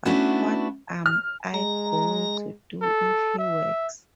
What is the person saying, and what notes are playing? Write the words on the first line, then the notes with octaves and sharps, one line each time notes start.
But what am I going to do if he works?
A3 B3 C#4 D4 E4 F#4
F6
G#3 A#5
A4
E5